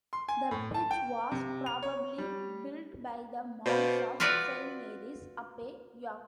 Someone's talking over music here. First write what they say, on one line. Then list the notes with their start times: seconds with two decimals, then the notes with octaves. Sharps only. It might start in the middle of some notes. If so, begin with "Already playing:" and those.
The bridge was probably built by the monks of Saint Mary's Abbey, York.
0.13 C6
0.29 G#5
0.51 A2
0.74 A5
0.91 G5
1.32 C3
1.66 F7
1.83 C#5
2.18 G3
3.66 B2 C5 D5 F5
4.20 F4 F#4 B4 D5 E5